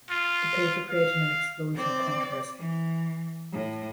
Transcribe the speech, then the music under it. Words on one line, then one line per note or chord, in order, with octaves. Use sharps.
The paper created an explosion of controversy.
F4
F5
C4 D5
E3
A2